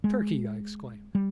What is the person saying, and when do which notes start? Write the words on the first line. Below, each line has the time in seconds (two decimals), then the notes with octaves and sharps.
"Turkey!" I exclaimed.
0.04 G#3
1.15 G3